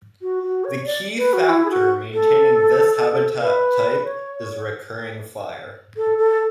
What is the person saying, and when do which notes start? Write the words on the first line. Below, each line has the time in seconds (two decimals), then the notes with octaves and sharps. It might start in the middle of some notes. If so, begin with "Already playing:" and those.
The key factor maintaining this habitat type is recurring fire.
0.22 F#4
0.43 F#4
0.65 C#5
0.85 D5
1.18 B4
1.33 F#4
1.49 E4
1.65 G#4
1.71 F#4
2.14 A4
3.41 B4
4.04 C#5
5.97 A4
6.18 A4